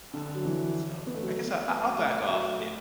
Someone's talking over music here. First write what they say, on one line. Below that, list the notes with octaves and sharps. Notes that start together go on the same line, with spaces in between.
um, so, I guess I I I'll back off if
D3
F#3
E3
B3
A3
F#3
A3
B3
A3
F#3
A3